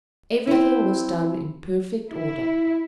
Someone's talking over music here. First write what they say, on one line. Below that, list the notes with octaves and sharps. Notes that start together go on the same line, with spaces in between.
Everything was done in perfect order.
C4 E4
E4